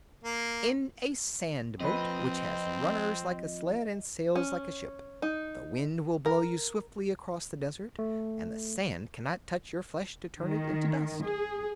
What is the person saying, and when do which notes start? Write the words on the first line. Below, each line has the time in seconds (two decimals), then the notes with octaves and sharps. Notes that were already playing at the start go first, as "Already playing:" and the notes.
"In a sand-boat, which has runners like a sled and sails like a ship. The wind will blow you swiftly across the desert and the sand cannot touch your flesh to turn it into dust."
0.24 A#3
1.80 F2 C4 B4 D#5
4.36 C#4
5.22 D#4
6.26 A#4
7.99 A3
10.41 D#3
11.25 G#4